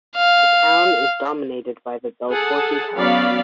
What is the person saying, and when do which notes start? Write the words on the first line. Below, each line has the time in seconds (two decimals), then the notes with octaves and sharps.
The town is dominated by the Belforti tower.
0.17 F5
2.30 G#4 A4 F#5 A5
2.95 F#3 B3 C#4 D5 F5 B5